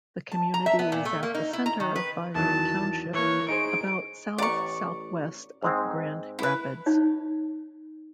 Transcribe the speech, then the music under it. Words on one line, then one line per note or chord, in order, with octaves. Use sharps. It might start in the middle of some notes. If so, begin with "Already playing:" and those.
The community is at the center of Byron Township, about south-southwest of Grand Rapids.
A5
A#5
E5
B3
A#2
A3
A#3
D#4
E4
A#5
D#3
B4
E2 D#3 F#3 A5
E3 A#3 C#5
D#4 G#4 C5 D7
A1 D5 A#5 C#6
G#2 G#3 C4
E4 B4
D#4 C#5